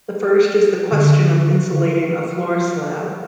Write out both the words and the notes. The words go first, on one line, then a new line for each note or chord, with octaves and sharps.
The first is the question of insulating a floor slab.
D3